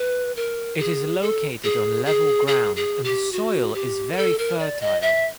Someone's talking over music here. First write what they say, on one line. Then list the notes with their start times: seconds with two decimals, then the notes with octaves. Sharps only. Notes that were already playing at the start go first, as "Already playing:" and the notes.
It is located on level ground and the soil is very fertile.
Already playing: B4
0.36 A#4
0.79 G#4
1.21 A4
1.64 G#4
2.06 G#4
2.47 G#4
2.76 G#4
3.04 G4
3.33 F#4
3.74 G4
4.12 A#4
4.17 A4
4.39 A#4
4.59 D5
4.81 D#5
5.02 E5